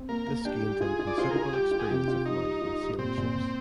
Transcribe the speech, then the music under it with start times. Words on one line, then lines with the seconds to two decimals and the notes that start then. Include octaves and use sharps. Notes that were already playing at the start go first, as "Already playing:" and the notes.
This gained him considerable experience of life in sailing ships.
Already playing: C4
0.09 A#3 A#4
0.27 A#3
0.45 D4 G4
0.64 G3
0.80 F4 G#4
0.99 F4
1.07 D5
1.18 F4 C5
1.31 A#4
1.36 F4
1.42 G#4
1.53 G3 G4
1.71 F4
1.80 G#4
1.89 C3 G4
2.08 F4
2.25 G3 D#4
2.44 G3
2.62 F4
2.80 G3
2.98 A#2 C4
3.17 A#2
3.35 A#2